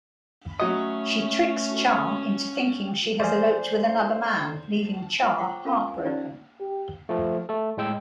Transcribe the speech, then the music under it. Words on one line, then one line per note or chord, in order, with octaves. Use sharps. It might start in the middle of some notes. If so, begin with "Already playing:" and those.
She tricks Char into thinking she has eloped with another man, leaving Char heartbroken.
F#3 A3 C#4 D#5
E3 F3 A3 C5 D5 G#5
F4 C#5 F#5 C#6
F4 C5 F#5 G5 C#6 D6
C#4 F4 A#4 F5 A5 B5
G#5
C#4 D#4 F4 G4 C5 D5
G4
F3 A3
A3 A4
A2 G#3 G5 E6